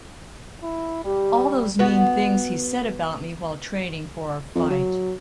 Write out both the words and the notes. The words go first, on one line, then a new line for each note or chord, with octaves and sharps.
All those mean things he said about me while training for our fight.
E4
G3 G4
B3 F#4
F2
F#3